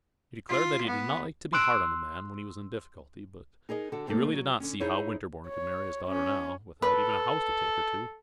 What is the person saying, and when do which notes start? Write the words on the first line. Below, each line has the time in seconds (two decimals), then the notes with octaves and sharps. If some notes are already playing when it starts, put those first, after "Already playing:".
He declared that he did not like to be hard on a man when he was in difficulty; but he really did not see how Winterborne could marry his daughter now, without even a house to take her to.
0.49 F4
0.87 B3
1.53 C6 E6 F#6 D7
3.69 D#4 G#4 A#4 D#5
3.92 D3 F#4 A4
4.07 C3 G3 A3 A#3 A4
4.33 F#3
4.60 D3 C#4
4.80 D#4 E4 G#4 C5 C#5
5.48 C#5
6.07 C#4
6.82 A4 B4